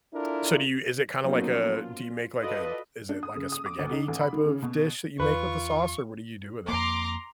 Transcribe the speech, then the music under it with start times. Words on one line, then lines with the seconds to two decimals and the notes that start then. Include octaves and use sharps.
so do you is it kinda like a do you make like, a is it like a spaghetti type of dish that you make with the sauce, or what do you do with it?
0.14 D4 E4 F4 A4 A#4
1.22 F3 F#3 A#3 B3 C#4 D#4
1.70 F4
2.40 F4 F#4 A4 B4 D5 D#5
3.09 D4
3.23 D#6
3.36 C#3
3.52 D#6
3.66 D6
3.79 D2
3.92 D#4
4.08 A1
4.21 B5
4.33 D#3
4.45 C#3
4.62 B2
5.20 E2 F4 B4 C#6
6.68 F2 A#3 A#5 C6 D6